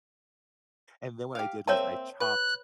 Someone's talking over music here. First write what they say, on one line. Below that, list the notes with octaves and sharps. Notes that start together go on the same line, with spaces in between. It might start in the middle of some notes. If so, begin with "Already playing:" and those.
And then what I did was I chopped
G4 F5
A#3 C4 C#5 E5 A5
B4 F#6